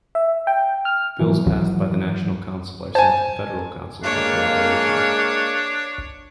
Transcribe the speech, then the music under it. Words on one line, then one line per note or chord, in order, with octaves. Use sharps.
Bills passed by the National Council are sent to the Federal Council for corroboration.
E5
G5
F6
G#2 E3 F#3
C5 G#5 A5
G#3 A#3 D4 C#5 F5